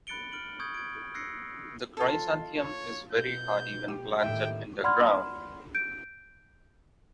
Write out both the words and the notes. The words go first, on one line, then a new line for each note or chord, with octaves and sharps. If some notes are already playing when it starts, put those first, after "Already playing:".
The chrysanthemum is very hardy when planted in the ground.
B5 F#6 A6 C#7 D7 G7
F6 D7 F#7
C#6 D#6 G6 G#6
G#6 D7
E6 F#6 G#6 A#6 C7 C#7
F4 A4
C#5
B2 G6
G4
A2 D#3 E5 G5
D5 F#5 B5 C6 F6 G#6
G6 D7